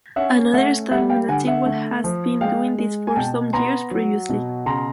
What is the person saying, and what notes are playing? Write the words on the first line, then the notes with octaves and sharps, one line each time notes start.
Another establishment at Chigwell has been doing this for some years previously.
C#4 E5 F#5
A3 E5 F#5
G3 E5 F#5
F5 G5
D3 F#5 G#5
E5 F#5
A3
F3
G#3 F5 G5
G#3
G#5
B2 G5 A5
B3 A#5 C6
F#3
B2
C#3 A#5 C6